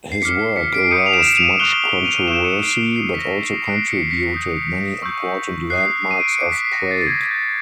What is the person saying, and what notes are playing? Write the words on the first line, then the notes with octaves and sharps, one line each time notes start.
His work aroused much controversy, but also contributed many important landmarks of Prague.
C7
D6 F6 B6 C#7
C7
B6 C#7
C7 D7
D#6 G6 C#7 D#7
F7
D7 E7
E7
D#7 F7
C#6 F#6 F7 G7
F7 G7
D#7 F7
F7
C#6 E6 G6 D7 E7
C#7 D#7
C7 D7
D#6 F#6 C7
B6
A#6
C7
D#6 F#6 C7 D7
B6 C#7
B6 C#7
D#6 G6
C#6 E6 G6
D#6 F#6 C7
D#7
D7
C#7
D6 G6 C7
B6
C7
B6
A#6
A6
A6
D6 G6 G#6
G6